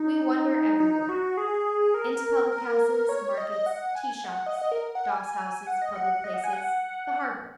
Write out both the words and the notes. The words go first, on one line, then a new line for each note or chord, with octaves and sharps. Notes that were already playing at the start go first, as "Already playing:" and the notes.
We wander everywhere: into public houses, markets, tea-shops, doss-houses, public places, the harbour.
Already playing: D#4
D#4
F#4
G#4
A#4
A#4
C#5
D#5
D#5
F#5
G#5
F#5
D#5
F#5
D#5
A#4
F#5
G#5
F#5
D#5
F#5
D#5
F#5
G#5
F#5